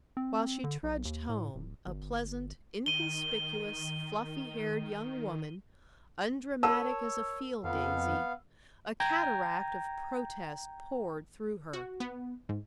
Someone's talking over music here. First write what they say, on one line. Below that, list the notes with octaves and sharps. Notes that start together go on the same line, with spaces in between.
While she trudged home--a pleasant, inconspicuous, fluffy-haired young woman, undramatic as a field daisy--a cataract of protest poured through her.
C4
D3
B1
D#2
A2
D1
G1
D#3 D#7 G7
A#4 C#5 A5 E6
F2 B3 F5
G5 A#5 G6 G#6 A#6
F#4
B3
G#2